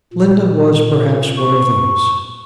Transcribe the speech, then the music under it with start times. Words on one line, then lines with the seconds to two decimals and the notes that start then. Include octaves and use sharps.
Linda was, perhaps, one of those.
0.13 A#2
1.37 C#6